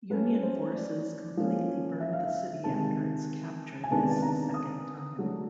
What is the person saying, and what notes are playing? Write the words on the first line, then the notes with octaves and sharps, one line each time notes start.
Union forces completely burned the city after its capture this second time.
F#3 A3 C#4 B4
C5
D5
F3 A#3 C#4
E5
F5
E5
C3 D#3 G#3 A5
G#5
C3 D#3 G#3 B3 D4 A5
A5
A#5
D#6
F#3 A3 D4